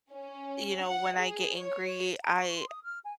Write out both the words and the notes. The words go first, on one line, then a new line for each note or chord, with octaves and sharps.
you know, when I get angry, I
C#4
F#5
G#4
C#5
A#5
C#6
C6
D#6
F6
G#5